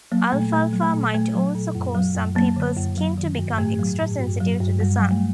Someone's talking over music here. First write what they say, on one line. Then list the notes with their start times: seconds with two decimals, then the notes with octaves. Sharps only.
Alfalfa might also cause some people's skin to become extra sensitive to the sun.
0.12 F#3 A#3
0.32 A#2 A3
0.52 A#2 A3
0.73 F#3
0.83 A3
0.94 A#2
1.14 A#2 A3
1.35 F#3
1.55 A#2
1.75 F#2
1.95 F#3
2.15 F#2
2.35 F#3 A#3
2.56 D3
2.77 F#2
2.97 F#3
3.17 D#3
3.38 G2
3.58 A2 A3
3.79 F#3
3.99 A2
4.19 G2
4.40 F#3
4.60 G2
4.80 G2 G3
4.96 F#3 G3
5.11 A3